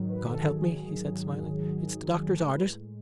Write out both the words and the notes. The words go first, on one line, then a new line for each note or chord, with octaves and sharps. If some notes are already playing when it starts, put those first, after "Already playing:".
"God help me," he said, smiling, "it's the doctor's orders."
Already playing: G#2 D#3 F#3
B4
A4
G#4
A2 G#3 A4
B4